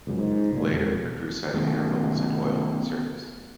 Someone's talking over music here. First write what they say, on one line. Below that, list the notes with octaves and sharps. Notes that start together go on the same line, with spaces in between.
Later, her crew sighted air bubbles and oil on the surface.
C#2 F#2
G#2
C#2 A#2
E1 F2
D#3 A3 B3 C#4